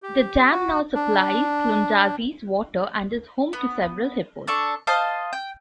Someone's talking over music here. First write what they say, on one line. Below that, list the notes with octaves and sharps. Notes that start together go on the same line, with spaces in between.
The dam now supplies Lundazi's water and is home to several hippos.
G4
F#4
D4
B3
D4 A4 C#6
C5 D#5 F5 A5
G5